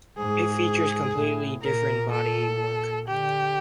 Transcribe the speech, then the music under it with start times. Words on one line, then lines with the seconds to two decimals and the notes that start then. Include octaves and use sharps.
It features completely different body work.
0.18 G#2 G#4
1.14 A2
1.62 A#2 A#4
2.12 A4
3.08 D3 G4